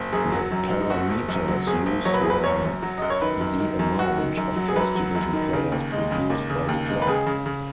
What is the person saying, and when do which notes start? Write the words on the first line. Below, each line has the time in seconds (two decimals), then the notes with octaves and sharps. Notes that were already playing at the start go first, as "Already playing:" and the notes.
The parameters used were the amount of first division players produced by the club.
Already playing: F#1
0.13 F#2 G#4
0.32 F#3
0.52 F#2
0.71 F#2
0.80 D#4
0.90 F#1 F#4
1.09 F#1
1.28 F#2
1.48 F#3
1.67 F#1 G#4
1.86 F#1
2.05 F#3 C#5
2.14 B4
2.22 F#1 G#4
2.30 B4
2.44 F#2 C#5
2.64 F#2
2.82 F#3
2.98 F#2 D#5
3.10 C#5
3.22 D#3 B4
3.41 F#2
3.60 D#3
3.79 F#2
3.99 F#2 F#4
4.18 D#3
4.37 F#2
4.56 F#3
4.68 G#4
4.76 F#2 B4
4.95 F#3
5.15 F#2
5.33 D#3
5.53 C#3
5.72 D#2
5.92 G#3
6.11 C#3
6.30 D#2
6.50 C#3
6.69 D#2
6.88 G#3
7.02 B4
7.07 C#3 G#4
7.26 C#3
7.46 C#3